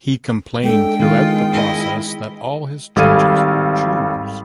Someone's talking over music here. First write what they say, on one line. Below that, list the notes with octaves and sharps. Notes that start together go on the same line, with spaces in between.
He complained throughout the process that all his judges were Jews.
G#3 D4 A4 G5
D#3 G#3 B3 F4
E4 D#5
G#1 G3 A4 F5 G#6 D#7